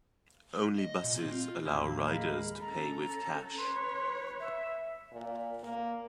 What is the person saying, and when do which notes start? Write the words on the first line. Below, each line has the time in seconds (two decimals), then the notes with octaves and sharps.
Only buses allow riders to pay with cash.
0.78 D#5
1.04 A#2
1.16 C4
1.32 F4
1.66 D#2 A2 F3 A#3 G4 E6
2.08 G#3 A#4 F5 B5
2.61 C#4 A4 A#5
3.58 B4 C#5 C6
4.40 E5
5.12 A#2
5.63 A#3